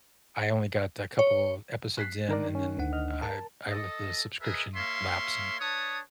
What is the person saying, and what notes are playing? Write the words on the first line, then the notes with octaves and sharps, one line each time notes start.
I only got a couple episodes in, and then, I I let the subscription lapse, and
C#5
F#6 B6 C7
D#3 D4 A#4 D5
C#4
D2 D4 F#5
D#5 F6
A#4 A5
A4 D#5
G#4 A#4 B4 D#5 E5
A#3 C#5 E5 F5 C6
D4 B4 C#5 A5 D#6